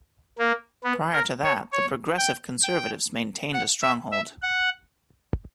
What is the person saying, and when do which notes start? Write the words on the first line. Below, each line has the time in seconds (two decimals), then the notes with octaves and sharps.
Prior to that, the Progressive Conservatives maintained a stronghold.
0.38 A#3
0.84 B3
1.13 A#4
1.44 C#5
1.72 C#5
2.17 G5
2.63 G5
3.53 F#5
3.82 E5
4.12 E5
4.42 F#5